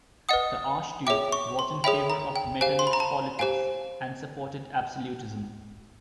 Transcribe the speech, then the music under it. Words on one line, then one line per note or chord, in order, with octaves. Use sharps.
The Archduke was in favour of Metternich's politics and supported absolutism.
B4 D#5 F#5 D#6
G#4 C#5 E5 G5 D6
C#6
C6
G#4 C#5 E5 G5 B5
A#5
G5
G4 C5 F5 G#5
C6
B5
A#5
A5
G4 C5 F5 G#5